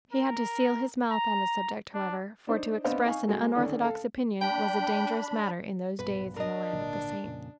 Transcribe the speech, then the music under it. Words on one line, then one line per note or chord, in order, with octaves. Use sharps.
He had to seal his mouth on the subject, however, for to express an unorthodox opinion was a dangerous matter in those days in the Land of the Saints.
A#4
A#5
D4
D4 D#4 C5
B3 C4 D4 C5 D#5 F5
D#4 F5 G#5 C#6
G#3 F#4 A4
D3 D#3 C#4 D4
A4 F5
D4 G5 B5
A#1 G2 B2 B4
D4 A#4 D#5
G#1 A#2 D3
F2 A#2 C#3